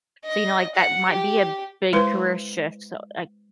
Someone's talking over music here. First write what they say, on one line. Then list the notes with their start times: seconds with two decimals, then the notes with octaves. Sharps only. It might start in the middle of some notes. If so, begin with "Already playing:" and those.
so, you know, like, that might be a big career shift, so, like,
0.25 D#5
0.75 F#5
1.09 G4
1.93 G#3 E4 B4 C5